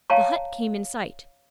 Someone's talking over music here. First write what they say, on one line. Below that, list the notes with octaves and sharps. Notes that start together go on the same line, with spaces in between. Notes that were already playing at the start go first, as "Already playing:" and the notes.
The hut came in sight.
C#5 F5 G5 A5 A#5 C#6